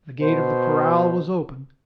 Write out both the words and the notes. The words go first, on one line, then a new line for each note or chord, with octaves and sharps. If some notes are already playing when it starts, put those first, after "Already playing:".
The gate of the corral was opened.
B2 C5